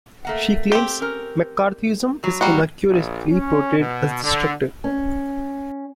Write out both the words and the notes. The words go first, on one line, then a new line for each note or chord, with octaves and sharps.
She claims McCarthyism is inaccurately portrayed as destructive.
A3 A#3 F#5
C4 G4
C#4 A#4
G2 F#3
G3 A#3 F#4
A#1
C#4
B2
D3
C#4